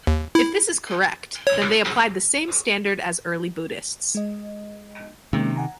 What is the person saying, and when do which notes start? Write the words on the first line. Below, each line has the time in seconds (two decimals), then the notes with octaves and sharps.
If this is correct, then they applied the same standard as early Buddhists.
0.07 D#2
0.35 E4
1.47 C#5
4.15 G#3 D#5
5.33 C3 D#3 G#3 A#3 C#4
5.56 F#5 G#5 A#5